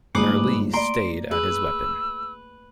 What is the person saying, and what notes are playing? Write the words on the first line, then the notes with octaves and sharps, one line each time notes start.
Merli stayed at his weapon.
G1 G#2 A3 A#3 G#4 B4 D6
D5 A#5 C6 D7
G#4 B4 E6